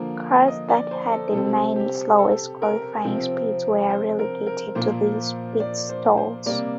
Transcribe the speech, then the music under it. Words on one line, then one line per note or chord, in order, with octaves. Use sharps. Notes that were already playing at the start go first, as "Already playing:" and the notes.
Cars that had the nine slowest qualifying speeds were relegated to these pit stalls.
Already playing: D3 F3 A#3
D#5
D5
C5
A4
C3 G3 C4 A4
G4
A4
A#4
C3 F3 C4
C5
A#4
A#4
A#2 F3 A#3 C5
D5
C5
C5
C3 G3 A#3 D5